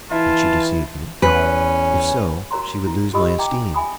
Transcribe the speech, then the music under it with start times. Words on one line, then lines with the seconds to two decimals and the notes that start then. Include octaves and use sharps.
Had she deceived me? If so, she would lose my esteem.
0.11 E3 E4 F4 E5 A5
1.22 E2 C#4 B4
2.51 F#4 A#4 C#5 A#5 C6
2.87 E4
3.13 F4 G4 D#5 B5 D#6 E6
3.38 E5 G5 A#5 D6
3.51 D4
3.74 E5 G#5 B5 D#6